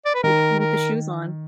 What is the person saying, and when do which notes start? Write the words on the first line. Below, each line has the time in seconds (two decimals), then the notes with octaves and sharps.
W with the shoes on.
0.05 D5
0.14 B4
0.23 D#3 A#4
0.59 A#4